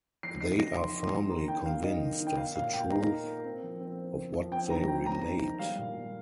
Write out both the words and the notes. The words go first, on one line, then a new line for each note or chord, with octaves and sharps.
They are firmly convinced of the truth of what they relate.
F3 C7
D#4 C7
F3 A#6
D#4 C6
D#4
D#4
A#3 A#5
D#3 G5
D#3 F5
D#4 D#5
D#3
D#3
G5
A#3 F5
A#2 F5
A#2 G5
D#4 A#5
A#3
A#3
C4
F3
C4
C4
C4
F3
C4 G5
D#3 A#5
D#3 G5
C4 A#5
D#4
D#3
G3 F5
A#2
G3